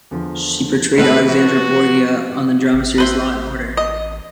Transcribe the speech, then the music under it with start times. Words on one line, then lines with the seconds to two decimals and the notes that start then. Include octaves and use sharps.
She portrayed Alexandra Borgia on the drama series "Law and Order".
0.11 E2 D3 F3
0.98 G#2 D#3 B3 B4 A5 E6 F6
1.28 F3 F#4 B4 F#7
2.74 A1
2.98 B4 C5 E5
3.77 D#5